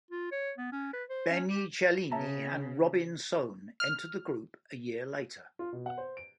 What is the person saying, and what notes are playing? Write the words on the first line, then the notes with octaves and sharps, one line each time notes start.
Benni Cellini and Robin Sohn entered the group a year later.
F4
C#5
B3
C#4
B4
C5
C#4
G4
C#3 E5 A5 A#5
F6
F4
B2
F#5
C5
D7